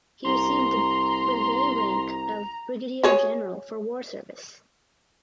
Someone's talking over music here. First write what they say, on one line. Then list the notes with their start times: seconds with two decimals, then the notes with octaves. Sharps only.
He received the brevet rank of brigadier general for war service.
0.25 C2 A#5 C6
3.04 F#4 G#4 C#5